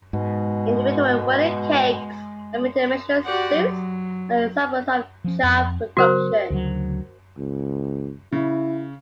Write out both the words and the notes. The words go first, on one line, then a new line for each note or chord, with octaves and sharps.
Individual wedding cakes and made-to-measure suits are examples of job production.
G#2 B2 G#3
F#4 G4 D5 F#5
F#3
F3 C#4
F2
C#3 F#3 B3 F#4 A#4 C5
D2 C#3 F#3
C#2
C#3 E4